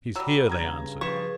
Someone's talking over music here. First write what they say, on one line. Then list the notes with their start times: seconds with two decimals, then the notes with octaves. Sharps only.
"He's here," they answered.
0.16 F#3 G3 E6
0.49 G2 C#3 A#5 G#6
1.01 F3 G#4 B4 C#6 E7